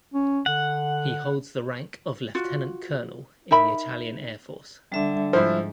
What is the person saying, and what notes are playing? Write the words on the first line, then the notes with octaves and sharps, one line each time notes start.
He holds the rank of lieutenant colonel in the Italian Air Force.
C#4
D3 F#5
F4 F#4
D#4 A#4 E5 B5
D3 G3 E5
G#2 F3 E4 C5